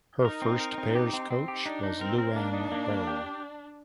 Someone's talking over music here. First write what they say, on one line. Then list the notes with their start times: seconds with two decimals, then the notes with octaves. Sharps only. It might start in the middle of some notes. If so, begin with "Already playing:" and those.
Her first pairs coach was Luan Bo.
0.25 D#4 A#4
0.42 C4
0.60 A#4
0.78 C4
0.95 G4
1.13 C4
1.30 C4
1.48 G4
1.66 D4 D#4
1.83 D#4
2.01 C4 A#4
2.18 A#4
2.36 A#3 D4
2.54 D#4
2.72 A#3
2.89 A#3
3.07 G4